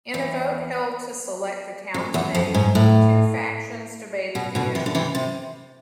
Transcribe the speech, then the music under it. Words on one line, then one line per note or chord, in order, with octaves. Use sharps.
In a vote held to select the town's name, two factions debated the issue.
E2
F2
E2
F2
G#2
A2
B2
B2 D3
C3 E3
D3
C3 E3
C3